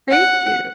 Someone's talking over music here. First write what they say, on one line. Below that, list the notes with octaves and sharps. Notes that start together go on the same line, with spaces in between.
Thank you.
F#5